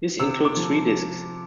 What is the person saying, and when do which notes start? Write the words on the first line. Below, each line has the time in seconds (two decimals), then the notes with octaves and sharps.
This includes three discs.
0.20 C3 E6
0.45 D6
0.57 F3